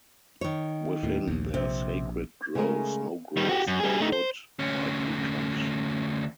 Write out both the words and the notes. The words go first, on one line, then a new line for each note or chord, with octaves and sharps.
Within their sacred groves no grass or wood might be cut.
D#3 C#5
D#2 A2
A#1 D#2
A#1 C3
C#3 G#3 A3 B3 G#4 A#4
D#3 G3
F#4 G4
F#2
G3 G#4
A3 D#4
C5
D2 C#4